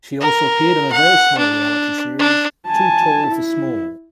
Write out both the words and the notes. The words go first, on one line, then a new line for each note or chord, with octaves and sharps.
She also appeared on a very small reality series, "Too Tall For Small".
A#4
F#5
D4
D4
G#5 A5
E4